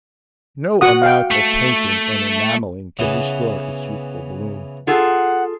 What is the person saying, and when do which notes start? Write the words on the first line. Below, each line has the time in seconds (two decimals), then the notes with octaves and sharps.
No amount of painting and enameling can restore its youthful bloom.
0.81 F#4 F#5 D#6
1.02 F5 G5
1.31 A3
2.99 C#3 E3 B3
4.87 F4 G#4 A4 F#5